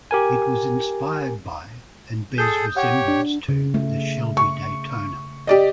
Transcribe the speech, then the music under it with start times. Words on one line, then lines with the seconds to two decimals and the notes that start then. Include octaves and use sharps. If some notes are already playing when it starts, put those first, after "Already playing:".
It was inspired by and bears resemblance to the Shelby Daytona.
0.11 G4 A#4 G#5
2.38 G#4 A4 D#6 G6
2.76 G4 C#5 F#5
3.08 D4
3.49 C#3
3.74 A3
4.37 C#6
5.47 G4 D5 D#5